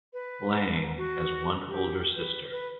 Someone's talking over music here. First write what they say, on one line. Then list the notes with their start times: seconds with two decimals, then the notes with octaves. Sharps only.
Lang has one older sister.
0.13 B4
0.97 F#4
1.68 G4
2.16 B4
2.51 B4